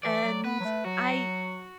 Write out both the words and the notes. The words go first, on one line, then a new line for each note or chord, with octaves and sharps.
and I
E3 D5
F#3
B3 B4
F#3
A3
F#3 F#4